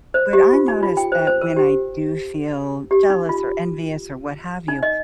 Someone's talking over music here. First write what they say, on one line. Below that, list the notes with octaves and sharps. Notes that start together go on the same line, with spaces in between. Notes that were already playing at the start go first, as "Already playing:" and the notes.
But I noticed that when I do feel jealous or envious or what have you,
C5
G4
F4
D#4
F4
G5
C5
C5
A#4
G4
G4
D#4
F4
D#4
D#5